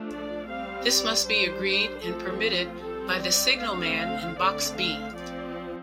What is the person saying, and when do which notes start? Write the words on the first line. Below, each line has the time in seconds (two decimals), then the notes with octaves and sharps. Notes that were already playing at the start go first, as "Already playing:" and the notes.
This must be agreed and permitted by the signalman in box B.
Already playing: F3 A3 D4
0.09 D5
0.47 G3 C4 F5
0.87 D5
1.25 G3 D4 C5
1.65 C5
2.03 F3 A3 C4 A4
2.43 F4
2.82 G3 C4 A4
3.20 D5
3.60 D3 A3 C4 F5
3.99 F5
4.38 D3 A3 C4 D5
4.77 F5
5.15 F3 C4 D5